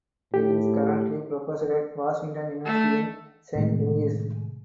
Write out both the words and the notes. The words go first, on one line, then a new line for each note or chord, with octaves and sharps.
He is currently Professor at Washington University in Saint Louis.
A2 G4
A3
A2 C3 D#3 G#3